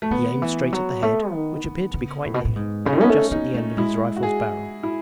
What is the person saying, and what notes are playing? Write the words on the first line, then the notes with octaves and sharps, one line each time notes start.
He aimed straight at the head which appeared to be quite near--just at the end of his rifle's barrel.
A3
D#3 B3
E3
F#3
A3
D#3
D#3
C#3
A2
B2
A2
G#2
C#3 C#4
D#4
B3 C#4
A3
B3 D#4
A3
G#3 E4
F#4
G#4
E4